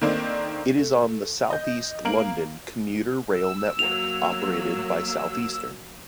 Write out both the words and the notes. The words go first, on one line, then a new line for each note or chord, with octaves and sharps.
It is on the south-east London commuter rail network operated by Southeastern.
D#3 A3 A#3 C4 D4 D#4
A3
D#5 G6
A#3 F5 A#5 D7 F#7
E6
F#3 A#3 F7